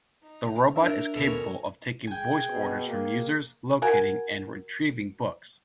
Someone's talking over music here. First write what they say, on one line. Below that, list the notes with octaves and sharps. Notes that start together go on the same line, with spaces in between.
The robot is capable of taking voice orders from users, locating, and retrieving books.
D#4
D4 A#4 E5
D#2 B2 C#4 F#4 A4 A#4 C#5
G#4 G5 G#5
B2
A#3
F#4 A#4 G#5